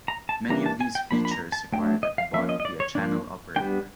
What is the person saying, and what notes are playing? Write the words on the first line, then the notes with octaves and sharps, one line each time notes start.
Many of these features require that the bot be a channel operator.
A#5
A5
E3 G3 A#3 D4 A#5
A5
G#5
G5
F3 A#3 D4 B5
B5
A#5
A5
F#3 A3 D4 G5
D#5
F5
F3 A#3 C#4 E5
D#5
D#5
D5
C#5
F3 A#3 D4
G3 B3 D4 G5